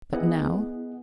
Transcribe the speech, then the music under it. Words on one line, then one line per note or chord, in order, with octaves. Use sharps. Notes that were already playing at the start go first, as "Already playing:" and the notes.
But now?
B3 E4 G#4 D#5 F#5